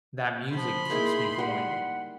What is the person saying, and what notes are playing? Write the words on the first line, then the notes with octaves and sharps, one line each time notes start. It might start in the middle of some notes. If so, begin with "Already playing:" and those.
that music keeps me going.
F3 B5 C6
A#3 D#4 E4 G#4
G3 F#5